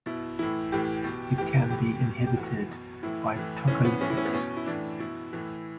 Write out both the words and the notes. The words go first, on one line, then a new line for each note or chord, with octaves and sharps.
It can be inhibited by tocolytics.
B2 E4
A2 E3 E4
A2 E3 G4
B2
A2 E3 G4
A2 E3 G4
B2
G4
A2 E3 F#4
B2
A2 E3 E4
A2 E3
A2 E3 C#4
B3
A2 E3 C#4
E4
C#4
B3
B2 C#4
E4
A2 E3 D4
B2 E4
A2 E3